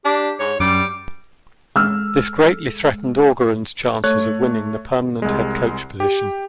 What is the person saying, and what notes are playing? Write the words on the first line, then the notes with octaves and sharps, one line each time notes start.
This greatly threatened Orgeron's chances of winning the permanent head coach position.
D4 G4
G#2 C#5
F#2 G3 D6
G#3 A4 E6 F6
A3 C#5 F#6
C2 G#3
G4